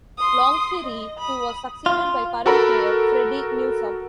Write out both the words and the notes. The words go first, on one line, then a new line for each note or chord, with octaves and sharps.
Longserre who was succeeded by current mayor Freddie Newsome.
C6 D#6
D#5
B5 D#6
F4
F#4 A4 A#4 B5